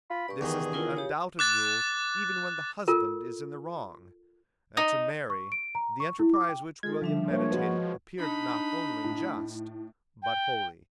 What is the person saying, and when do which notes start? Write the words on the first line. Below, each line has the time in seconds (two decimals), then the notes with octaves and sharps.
This is the undoubted rule even when the husband is in the wrong; and to Mary the enterprise which William meditated appeared not only just, but holy.
0.10 F4 B5
0.28 G2 D5 C#6
0.41 E2 D#3 G#4 G5 C#6
0.73 E4 F4 A#4
0.97 C#3 G4 C#5
1.39 D6 F#6 A6
2.88 F4 A4 A#4
4.77 D#4
5.30 C#6
5.52 D7
5.75 A#5
6.00 C#6
6.19 E4
6.34 D6
6.49 G5
6.83 G#3 F4 A4 G#6
7.02 D3 F3 G3 D4 E5
7.31 G#3 A#3 C#5
7.51 F#4 B4 D#5 F#5
8.19 D4 D#4 B5
9.04 A2
10.23 G5